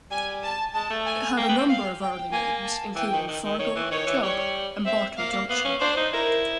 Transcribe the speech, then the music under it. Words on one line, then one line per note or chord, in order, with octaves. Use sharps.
It had a number of early names, including Fargo, Chubb and Bartow Junction.
G3 G#5
A5
G#3 A5
A3
G#5
A#3 G5
B3
C4
F5
G5
A#3 G#5
A5
E3 G5
D#3
D#3
D#3
D#3 C#5
E3
D#3 C#5
E3
G3 C#5
C4 E5
A#3 F5
A#3
B3 F5
C#4
D4 C5
D#4
E4 A#4